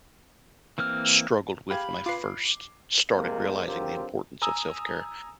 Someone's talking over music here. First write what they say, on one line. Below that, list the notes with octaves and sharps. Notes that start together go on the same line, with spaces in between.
struggled with when I first started realizing the importance of self care
E3 A#3 C4 F6
G4 F5 B5 G#6
F4 B4 D6 C7
C2 C3 G#3 A#3
D3 F#3 C4 F4 G4 A#4
G#5 A#5 D#6 E6